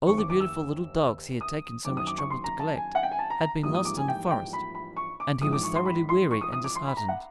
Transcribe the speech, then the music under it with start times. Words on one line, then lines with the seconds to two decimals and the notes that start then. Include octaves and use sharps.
All the beautiful little dogs he had taken so much trouble to collect had been lost in the forest, and he was thoroughly weary and disheartened.
0.07 F1 D#2 D#3 C#6
0.18 D6
0.30 D6
0.40 E6
1.41 D#6
1.85 F#1 F#2 D#3 D6
1.97 D#6
2.07 D6
2.18 C#6
2.30 C6
2.44 A#5
2.59 A5
2.75 G#5
2.95 F#5
3.03 G5
3.11 G#5
3.19 A5
3.30 A#5
3.41 A#5
3.63 A#1 G#2 E3 G3 A#3 D#6
3.74 D#6
3.85 D6
3.97 G#5
4.08 G5
4.30 G5
4.53 B5
4.75 B5
4.97 C#6
5.20 D6
5.42 A#1 G#2 E3 D#6
5.53 D6
5.63 C#6
5.75 C6
5.86 B5
6.09 C6
6.31 C#6
6.41 D#6
6.53 D#6
6.64 D6
6.75 C6
6.87 B5
6.97 A#5
7.09 F#5